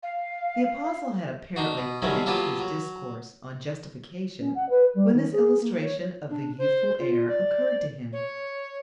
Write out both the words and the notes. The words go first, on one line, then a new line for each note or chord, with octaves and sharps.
THE Apostle had apparently finished his discourse on justification when this illustration of the youthful heir occurred to him.
F5
D4 D#4 F#4
B2
D3 D#3 F#3 G3 A3 C#4
F#3 A#3 B3 F4 G4 A4
F#3
C#4
F#5
B4
G3
D#3
G#4
A#3
C#5
D4
C5
F4
D5
C#5